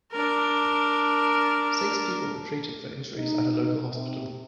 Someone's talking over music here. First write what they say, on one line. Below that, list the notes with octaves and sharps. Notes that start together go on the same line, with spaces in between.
Six people were treated for injuries at a local hospital.
D4 A#4
D#4
C3